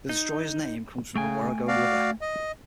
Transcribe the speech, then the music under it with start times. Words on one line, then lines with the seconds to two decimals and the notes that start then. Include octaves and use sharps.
The destroyer's name comes from the Warrego River.
0.09 D#4
1.16 C#3 A3 G5 G#5
1.68 F#4 D5 F5
2.21 D#5